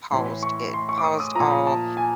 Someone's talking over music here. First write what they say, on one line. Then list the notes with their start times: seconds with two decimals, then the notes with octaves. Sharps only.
paused it paused all
0.11 A2 E3 C6
0.43 C#6
0.74 C6
0.89 C#6
0.98 D6
1.04 D#6
1.20 D#6
1.35 A#2 F3 A#5
1.67 A5
1.97 G#5